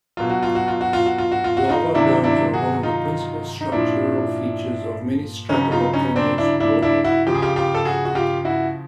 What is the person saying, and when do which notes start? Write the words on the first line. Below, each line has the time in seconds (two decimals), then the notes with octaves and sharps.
Lava domes are one of the principal structural features of many stratovolcanoes worldwide.
0.17 B2 F#3 F4
0.30 F#4
0.43 F4
0.55 F#4
0.68 F4
0.81 F#4
0.93 F4
1.06 F#4
1.18 F4
1.32 F#4
1.44 F4
1.57 F#4
1.69 D#4 F4
1.95 C3 D#3 F#3 D4 E4
2.24 D4 E4
2.53 F#4 G#4
2.83 D#4 F4
3.61 D#4
3.72 A#2 F3 D4 E4
5.49 C#3 F#3 C#4 D#4
5.71 D#4 F4
5.93 C#4 D#4
6.16 C4 D4
6.38 D4 E4
6.60 D4 E4
6.82 D4 E4
7.04 E4 F#4
7.27 C#3 F3 G4
7.35 G#4
7.42 F4 G4
7.56 F4 G4
7.75 A4
7.85 F#4 G#4
8.05 F#4
8.15 F4 G4
8.45 E4 F#4